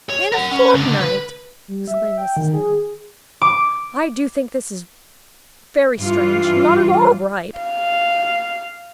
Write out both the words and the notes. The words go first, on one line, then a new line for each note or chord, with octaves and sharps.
'In a fortnight!' exclaimed Mrs. Hale, 'I do think this is very strange--not at all right.
C#5
A#4 F#5
C#4
C#2 D3
B4
G3
E5
G5
D#3
G#4
D6
G2 E3 F4
F5